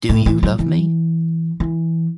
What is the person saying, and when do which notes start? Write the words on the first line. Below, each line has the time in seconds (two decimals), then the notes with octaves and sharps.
Do You Love Me?
0.09 A2
0.26 E3
0.43 F#3
0.59 E3
1.60 E3